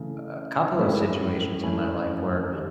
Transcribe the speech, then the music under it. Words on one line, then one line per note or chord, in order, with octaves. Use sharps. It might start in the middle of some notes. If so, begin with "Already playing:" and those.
a a couple of situations in my life where
Already playing: C#3 E3 A3
A2 F3 G#3 C#4 E4
E3 A3 C#4 E4
D#3 G3